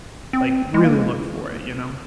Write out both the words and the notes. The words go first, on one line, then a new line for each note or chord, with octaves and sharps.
like, really look for it, you know?
C4
G#3
A#3
G#3